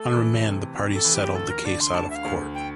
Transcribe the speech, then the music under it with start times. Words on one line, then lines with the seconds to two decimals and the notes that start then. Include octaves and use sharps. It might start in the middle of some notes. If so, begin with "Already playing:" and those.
On remand, the parties settled the case out of court.
Already playing: A3 A4
0.15 E3
0.45 C3
0.75 C3
0.94 A4
1.04 E3
1.15 G4
1.35 D2 A4
1.50 A#4
1.65 D3 D5
1.80 C6
1.95 D2 A5
2.10 E5
2.15 F5
2.25 D2
2.54 G5